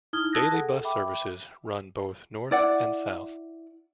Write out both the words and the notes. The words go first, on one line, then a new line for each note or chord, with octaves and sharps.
Daily bus services run both north and south.
D#4 E4 D#6 F6 G#6 G7
A5 D#6 E6 F#6 G#6 A#6
G#4 A4 F#5
E5 G5 B5 D6
E4 D5 F#5